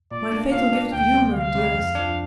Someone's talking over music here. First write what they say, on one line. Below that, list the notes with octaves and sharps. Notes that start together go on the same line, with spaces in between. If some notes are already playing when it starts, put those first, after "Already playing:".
"My fatal gift of humour, dearest."
A#2 D5
A#3 D4
A#2 F5
A#3 D4
D2 G5
C3 G3
D2 F5
C3 G3
F2
F3 D4